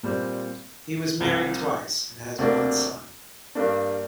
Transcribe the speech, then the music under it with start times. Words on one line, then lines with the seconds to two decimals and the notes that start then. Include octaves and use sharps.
He was married twice and has one son.
0.03 A#2 G3 C4
1.20 C2 C3 F3
2.38 D2 C3 A#3 D4
3.55 G2 G3 A#3 D4